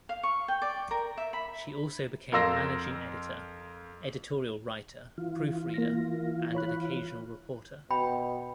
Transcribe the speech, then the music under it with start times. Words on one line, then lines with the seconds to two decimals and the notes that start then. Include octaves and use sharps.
She also became managing editor, editorial writer, proof reader and an occasional reporter.
0.09 F5
0.23 C#6
0.48 G5
0.62 D5
0.91 A#4
1.17 E5
1.33 B5
2.32 F2 A#4 F5 C6 E6 A#6
5.18 E3 F4
5.74 A#3 A#6
6.55 C#5 B5 F#6
7.91 B2 G5 B5